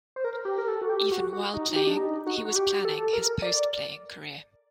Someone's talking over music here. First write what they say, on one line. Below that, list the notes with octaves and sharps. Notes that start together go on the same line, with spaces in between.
Even while playing, he was planning his post-playing career.
C5
A#4
G4
A#4
A4
F#4
G4
F#4
F#4
D#4
G4
D4
D#4
F#4
F#4
G4
A4
A#4
D5